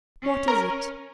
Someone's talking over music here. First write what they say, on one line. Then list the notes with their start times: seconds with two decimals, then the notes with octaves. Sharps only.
"What is it?"
0.22 C#4
0.48 A#4